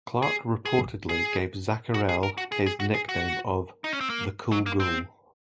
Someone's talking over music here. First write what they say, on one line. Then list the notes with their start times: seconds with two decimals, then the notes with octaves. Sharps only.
Clark reportedly gave Zacherle his nickname of The Cool Ghoul.
0.22 G#4
0.65 G#4
1.09 G#4
1.94 F#4
2.09 G#4
2.23 A#4
2.38 F#4
2.52 G#4
2.66 G#4
2.80 F#4
2.94 G#4
3.09 F#4
3.84 D#4
3.93 C#4
4.01 C4
4.10 A#3
4.52 F#3
4.66 A#3
4.80 C4